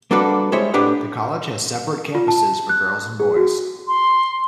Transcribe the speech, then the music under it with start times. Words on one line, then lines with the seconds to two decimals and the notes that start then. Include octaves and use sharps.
The college has separate campuses for girls and boys.
0.11 G3 A#3 D4 F#4 A4 B4
0.52 G3 G#3 E4 C5 C#5 E5
0.74 A2 D4 G4 B4 F#5
2.15 F4
2.28 A5
2.69 F#6
3.20 G#4
3.36 F#4
3.88 C6